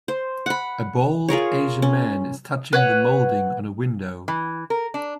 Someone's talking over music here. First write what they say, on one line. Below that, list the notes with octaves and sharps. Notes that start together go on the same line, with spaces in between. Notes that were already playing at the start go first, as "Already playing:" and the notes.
A bald Asian man is touching the molding on a window.
C5
F#5 B5
F4 G#4 A#4 C#5
C#4
B4 C#5 F#5
E3
A#4
D4